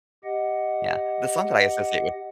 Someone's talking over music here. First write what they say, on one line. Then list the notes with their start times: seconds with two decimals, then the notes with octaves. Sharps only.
yeah, the song that I associate with
0.24 G4 D#5 F#5